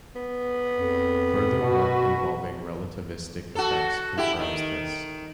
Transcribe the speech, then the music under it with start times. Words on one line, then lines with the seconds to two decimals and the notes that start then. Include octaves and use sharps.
Further work involving relativistic effects confirms this.
0.16 B3
0.79 F2
1.61 B2 F#4 B4
3.55 F#4 A4
4.18 E4 G4
4.39 D#3